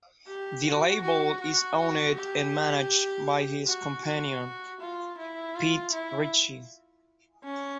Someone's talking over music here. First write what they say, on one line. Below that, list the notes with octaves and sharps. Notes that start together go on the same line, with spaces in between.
The label is owned and managed by his companion, Pete Ritchey.
G4
F#4
F#4
F#4
F#4
G4
F#4
F#4
F4
E4
F4
E4
C#4